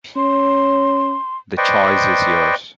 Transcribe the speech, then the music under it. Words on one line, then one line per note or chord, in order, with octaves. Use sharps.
The choice is yours.
C#4 C6
B4 C5 D5 D#5 G5 C#6